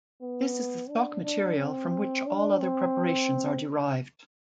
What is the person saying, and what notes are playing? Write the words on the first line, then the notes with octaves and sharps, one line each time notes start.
This is the stock material from which all other preparations are derived.
B3
D4
D4
C4
D4
C4